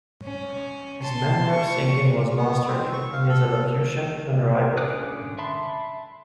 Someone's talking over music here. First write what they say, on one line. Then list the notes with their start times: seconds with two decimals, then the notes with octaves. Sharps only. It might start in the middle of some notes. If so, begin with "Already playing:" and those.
His manner of singing was masterly and his elocution unrivalled.
0.23 C#4
1.02 A5 C6
1.51 C#6
2.37 B3
2.67 C4
2.93 C#6
3.13 F5
3.29 A4
4.77 D3 C#4 D6 D#6 F#6
5.38 E5 A5 B5 C6